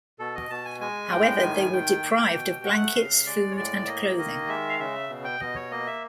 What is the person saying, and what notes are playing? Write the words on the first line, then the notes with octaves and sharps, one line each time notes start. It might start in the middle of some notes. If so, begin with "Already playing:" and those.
However, they were deprived of blankets, food, and clothing.
B2 A4
D#5
B2 A5
G#5
G#3 G#5
A2 G5
D#3 G#5
D#3 G5
A#3
B2
A3 F#5
C#3 F5
G#3 D5
C#5
A2 D5
A#3 D#5
D#3 D#5
G#3 E5
F5
C#3 E5
B2
G5
B2 D#5
C#5
A#3 D#5
E5